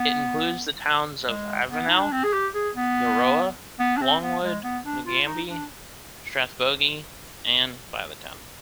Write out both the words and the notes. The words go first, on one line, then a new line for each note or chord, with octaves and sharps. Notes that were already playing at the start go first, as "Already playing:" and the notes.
It includes the towns of Avenel, Euroa, Longwood, Nagambie, Strathbogie and Violet Town.
Already playing: B3
G#3
B3
D#4
D4
C4
G#4
G4
G#4
B3
B3
D4
C4
B3
G#3
B3
D4
F4
D#4
D4